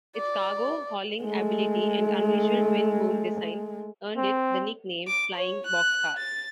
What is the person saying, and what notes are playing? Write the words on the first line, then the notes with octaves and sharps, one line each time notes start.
Its cargo-hauling ability and unusual twin-boom design earned it the nickname "Flying Boxcar".
D5
G#3 A3
C4
D6
C#5
F#6
A6